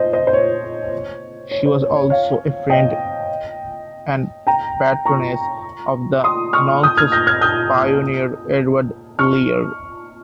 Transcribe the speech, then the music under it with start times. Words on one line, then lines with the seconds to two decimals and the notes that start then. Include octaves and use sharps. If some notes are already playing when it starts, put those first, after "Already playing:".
She was also a friend and patroness of the nonsense pioneer, Edward Lear.
Already playing: C5 D#5
0.13 C5 D#5
0.27 C5
0.33 C#5
1.51 C#5
1.66 C5
1.81 C#5
1.96 C#5
2.10 C#5 F5
2.70 D#5 G5
4.47 G5 A#5
5.06 A#5 C#6
6.24 C6 D#6
6.53 C#6 F6
6.83 D#6 G6
6.97 F6 G#6
7.12 G6 A#6
7.27 F6 G#6
7.41 D#6 G6
9.19 C#6 F6